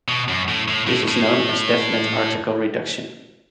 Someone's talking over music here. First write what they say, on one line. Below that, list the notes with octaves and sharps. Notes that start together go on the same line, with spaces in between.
This is known as definite article reduction.
B2
F#2
A2
A2
A2
A2